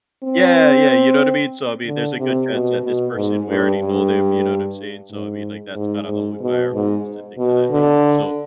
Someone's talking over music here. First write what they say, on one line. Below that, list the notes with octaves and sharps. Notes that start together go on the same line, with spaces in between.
Yeah, yeah, you know what I mean, so I mean, there's a good chance that this person we already know them, you know, what I'm saying, so, I mean, like, that's kinda how we buy our homes and things of that nature, so,
C4
D3
C3
B2
B2
G#2
G2
G2
G#2
G#2
G#2
B2
G#2
B2
D3